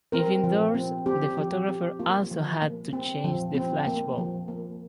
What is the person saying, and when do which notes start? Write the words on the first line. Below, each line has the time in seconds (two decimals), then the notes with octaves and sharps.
If indoors, the photographer also had to change the flashbulb.
0.12 C4 A#4
0.44 F3
0.74 C4
1.06 C4 G4
1.37 F3 G4
1.68 C4 G4
1.99 A#3 F4
2.31 F3
2.62 A#3
2.93 C4
3.24 F3
3.55 C4
3.87 A#3
4.18 F3
4.48 A#3